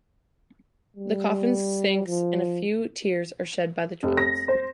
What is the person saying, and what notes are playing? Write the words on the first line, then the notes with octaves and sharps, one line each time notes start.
The coffin sinks and a few tears are shed by the twins.
G3
F3
F1
A#6
C5